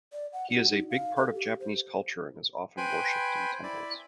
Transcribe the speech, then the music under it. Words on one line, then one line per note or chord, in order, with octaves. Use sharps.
He is a big part of Japanese culture and is often worshiped in temples.
D5
F#5
F#4
D#4
F5
A4
G4
C5
B4 C5 G5 G#5 B5
E4 D5 B5